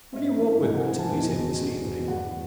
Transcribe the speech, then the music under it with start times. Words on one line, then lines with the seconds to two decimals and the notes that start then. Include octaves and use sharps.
"Will you walk with me to meet him this evening?"
0.13 G#2 E5
0.38 E3
0.62 G#2 G#5
0.74 F#5
0.86 E3 G#5
0.99 A5
1.11 E2 G#5
1.35 B2
1.60 E2
1.84 B2
2.08 E2 F#5